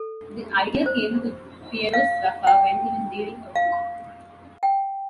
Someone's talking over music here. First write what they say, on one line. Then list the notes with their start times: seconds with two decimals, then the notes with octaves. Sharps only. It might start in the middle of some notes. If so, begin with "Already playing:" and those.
The idea came to Piero Sraffa when he was reading a book.
Already playing: A4
0.86 C5
1.93 F5
2.47 G5
3.56 F5
4.63 G5